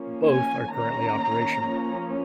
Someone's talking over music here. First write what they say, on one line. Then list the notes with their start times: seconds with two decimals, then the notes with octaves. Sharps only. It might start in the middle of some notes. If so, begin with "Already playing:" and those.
Both are currently operational.
Already playing: F3 A#3 C#4
0.28 G#5
0.72 D#3 A#3 C#4 A#5
1.61 F3 A#3 C#4